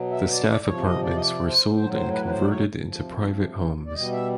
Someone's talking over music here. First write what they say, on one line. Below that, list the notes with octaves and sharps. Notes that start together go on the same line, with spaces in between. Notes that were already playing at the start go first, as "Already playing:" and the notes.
The staff apartments were sold and converted into private homes.
Already playing: B2 F#3
E5
D5
D5
D5
C3 F3 C#5
D#5
D5
D#5
D5
C5
A2 F#3 C5
C5
B4
B4
C5
D5
C#5
F3
C3
D5
B2 G3 D#5
E5